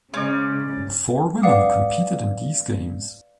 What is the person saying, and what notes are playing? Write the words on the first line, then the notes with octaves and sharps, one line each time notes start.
Four women competed in these games.
C#3 G#3 C#4 C5 D5
B4 D5 F5 F#5 D6 D#6